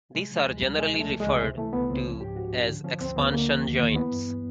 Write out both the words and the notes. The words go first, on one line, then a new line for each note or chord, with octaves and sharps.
These are generally referred to as expansion joints.
C3 G#3
F3
G#3
D2
D2 G3
C3 G#3
F3
A3
C#2
G#3
C#2
C3
E3 A3
C#2 B3
C#2 C4
F3 C#4
G#2 G4
G#2 F#4
F3 D4
D3
F3 C#4
D2 C4
D2 B3
D3 A#3
F3
D#2
D#2
E3 B3
G2